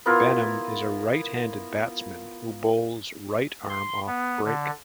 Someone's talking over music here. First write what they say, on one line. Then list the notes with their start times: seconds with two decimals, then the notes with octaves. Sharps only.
Benham is a right-handed batsman who bowls right-arm off break.
0.06 B3 E4 F4 A#4
3.69 C6
4.07 B3
4.44 D3